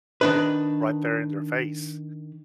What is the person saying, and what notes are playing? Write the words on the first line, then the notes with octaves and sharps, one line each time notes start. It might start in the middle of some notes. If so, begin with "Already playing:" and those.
right there in their face
D#3 D4 B4